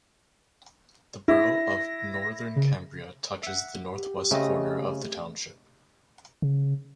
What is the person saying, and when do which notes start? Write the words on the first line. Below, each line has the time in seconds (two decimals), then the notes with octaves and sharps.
The borough of Northern Cambria touches the northwest corner of the township.
1.28 E4 A#6
2.56 C#3
3.43 E5 F#5
3.93 G4
4.31 C#3 A3 C4 D#5
6.42 C#3